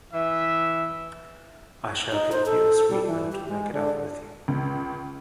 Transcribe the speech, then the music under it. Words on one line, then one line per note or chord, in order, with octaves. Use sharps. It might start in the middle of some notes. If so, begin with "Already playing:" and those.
I shall give you a sweetener to make it up with you.
E3 E5
D#4
C5
A4
G3
E3
G4
G#3
D3
C#2